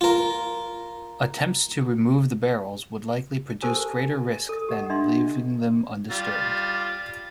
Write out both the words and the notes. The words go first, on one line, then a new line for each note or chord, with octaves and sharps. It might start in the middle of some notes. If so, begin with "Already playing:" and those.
Attempts to remove the barrels would likely produce greater risk than leaving them undisturbed.
F4 A#4
G4 A4 A#4 C5 G#5 A5
A4 D#6
G4 D#5 F#5
D4 D#5 E5 C6
G3 F4